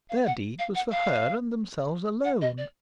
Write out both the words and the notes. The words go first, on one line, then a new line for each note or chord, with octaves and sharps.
Their deed was for her and themselves alone.
F5
F#5
F5
F#5
F5
F#5
D#5
D5